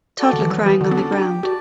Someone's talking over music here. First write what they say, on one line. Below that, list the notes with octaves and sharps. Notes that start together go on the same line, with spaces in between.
Toddler crying on the ground.
F#4 A4 D5
D3
E3
F#3 B3
E3
D3 F#4 A4 D5
B3
C#4
D4 G4
F#4 D5 A5